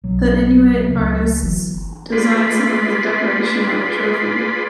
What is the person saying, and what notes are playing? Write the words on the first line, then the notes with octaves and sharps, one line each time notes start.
The Inuit artists designed some of the decoration on the trophy.
B1 F#3
C#2 C#3
G1 E3 F#3 B3
F4 G#4 B4 D5 B5 C6